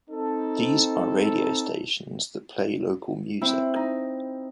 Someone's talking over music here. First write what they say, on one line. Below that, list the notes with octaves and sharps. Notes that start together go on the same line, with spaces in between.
These are radio stations that play local music.
C4 D#4 A4
C4 E4
D#4